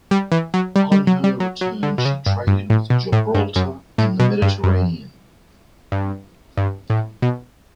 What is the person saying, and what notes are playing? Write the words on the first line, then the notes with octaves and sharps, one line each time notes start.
On her return she traded with Gibraltar and the Mediterranean.
G3
E3
F#3
G3
G3
F#3
G3
F#3
F#3
D3
B2
C#3
G2
G2
A2
B2
A2
G2
F#2
A2
B2
G2
F#2
G2
G2
A2
B2